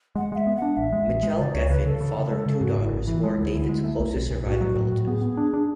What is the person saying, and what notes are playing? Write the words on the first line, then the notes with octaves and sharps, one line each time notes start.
Mitchell Geffen fathered two daughters, who are David's closest surviving relatives.
G#3 F#5
G#3 E5
B3
F#5
D4
A1 E5
G#3
A1
G#3
C#3 D5
C#2 C#5
C#3 B4
C#3 A4
C#3
C#3
G#3
C#3
G#4
G#2 F#4
G#1
E4
G#1
E3 E4
G#3
D2
D2
G#3
A3
B1
B1
B1
A2 F#4
F#3
A2
A2
B3 G#4
B3
D4
D4